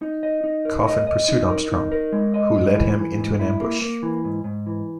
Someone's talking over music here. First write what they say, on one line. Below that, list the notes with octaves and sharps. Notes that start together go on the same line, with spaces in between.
Coffin pursued Armstrong, who led him into an ambush.
D#4
D#5
D#4
A#4
D#5
D#5
D#4
A#4
D#4
A#4
G#3
D#5
G#2
E3
E3
G#2
E4
A#3
A#3
E3
G#2
G#2
E3